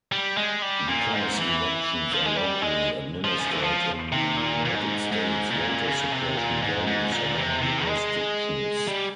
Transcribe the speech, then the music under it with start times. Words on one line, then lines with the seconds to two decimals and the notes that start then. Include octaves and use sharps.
Because elections are locally administered in the United States, voter suppression varies among jurisdictions.
0.12 G3
0.37 G#3
0.62 G3
0.87 A#2
1.12 G#2
1.37 E3
2.12 F3
2.26 G#3
2.37 G3
2.62 G#3
3.24 F3
3.39 C#3
3.51 E3
3.62 F3
4.12 C3
4.37 A#2
4.66 A#2
4.75 G#2
5.12 G#2
5.50 A#2
5.87 C#3
6.12 C3
6.37 A#2
6.62 G#2
6.87 G#2
7.12 A#2
7.37 C3
7.62 C3
7.87 G#3
8.88 G3